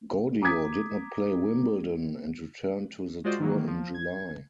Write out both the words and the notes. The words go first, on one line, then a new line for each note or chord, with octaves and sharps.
Gaudio did not play Wimbledon and returned to the tour in July.
A#5 D6 D#6 G#6 B6
G#3 F4 F#4 C5 D5 D#5
D#3 E3 F#3 A#3
F3
G#6